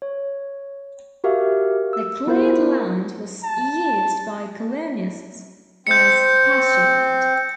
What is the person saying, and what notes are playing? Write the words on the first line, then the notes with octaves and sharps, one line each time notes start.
The cleared land was used by colonists as pastureland.
C#5
F#4 G4 A#4 E5 F5
E6
B3 E4 F4 A#4 C5
A5
C4 G6 C#7